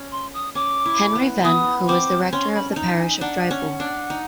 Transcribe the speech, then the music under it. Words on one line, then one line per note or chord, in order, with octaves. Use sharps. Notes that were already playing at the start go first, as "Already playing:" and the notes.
Henry Venn, who was the rector of the parish of Drypool.
Already playing: C#4
C6
D#6
C#4 D6
E4
B3
B3 D#6
C4 D6
C#4 C6
B5
A5
D#4 A#5
G#5
D4 F#5
C#4
D4
D#4